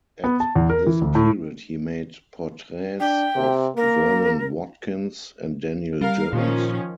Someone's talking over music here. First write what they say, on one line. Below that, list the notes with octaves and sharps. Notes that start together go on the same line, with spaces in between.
At this period he made portraits of Vernon Watkins and Daniel Jones.
B3
A5
E2
A#4
E3
D2
A2
D4 G5
C3
A#3 A#4
G3 A#4 F5
A#2 D#3 F3 C#4